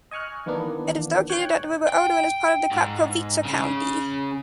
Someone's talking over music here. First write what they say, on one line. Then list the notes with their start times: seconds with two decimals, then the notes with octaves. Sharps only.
It is located at the river Oder and is part of the Krapkowice County.
0.11 D#5 G#5 C#6 F6 F#6
0.46 D#3 E3 A#3 B3 D4
1.30 C#5 G5 F#6
1.88 G5
2.72 G#2
3.45 C#3